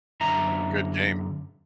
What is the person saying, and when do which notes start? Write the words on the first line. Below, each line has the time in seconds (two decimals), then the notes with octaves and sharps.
good game.
0.21 F#2 D3 E5 A#5